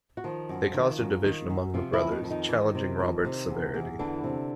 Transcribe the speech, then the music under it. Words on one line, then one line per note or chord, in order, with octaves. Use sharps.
They caused a division among the brothers, challenging Robert's severity.
F#4
D#3 F3 F4
F#2
D#3
F#2
D#3
F#2
C3 F3 F4
E3 E4
F2
D#3 D#4
F2
D#3 D#4
E3
C3
F2
C3
E2
E2
D3 E3 D4
C3